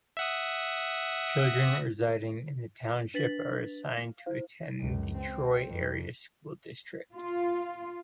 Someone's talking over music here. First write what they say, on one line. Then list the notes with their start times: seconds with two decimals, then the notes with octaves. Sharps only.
Children residing in the township are assigned to attend the Troy Area School District.
0.17 E5 F#5 D#6
3.14 D4 B4 A6 B6 F#7
3.94 F5
4.26 E4 C5 F5
4.79 C#2 F#2
5.18 C4
5.69 F2
7.14 F4